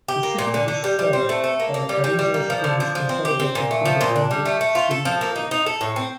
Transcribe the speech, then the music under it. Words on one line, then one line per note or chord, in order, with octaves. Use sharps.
The city is served by the Carrizo Springs Consolidated Independent School District.
G4
A#3
A#2
D3
D3
G3
G3
C4
A3
A4
A#3
A#3
G3
G3
G3
A#3
F3
D3
F3
F3
C4
G4
C4
A#2
A3
F3
A#2
D4
G3
A3
A3
F4
A4
F3
A#3
D#4
D#4
A4
A2
C4